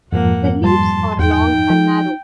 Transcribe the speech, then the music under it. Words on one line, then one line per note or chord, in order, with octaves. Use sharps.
The leaves are long and narrow.
F2 G#2 F3 A#3 F#5
G3 A5 C6
E2 D#4 G5
F3